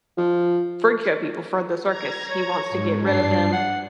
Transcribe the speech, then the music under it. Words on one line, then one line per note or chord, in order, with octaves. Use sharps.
Freak Show people for the circus. He wants to get rid of them,
F3
A#5 G#6
C#5
G#2
G2 D4 C7
F#5